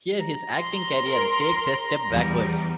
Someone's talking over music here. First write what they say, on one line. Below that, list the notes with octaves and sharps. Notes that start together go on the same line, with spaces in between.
Here, his acting career takes a step backwards.
A#5
C6
A#4
E2 G3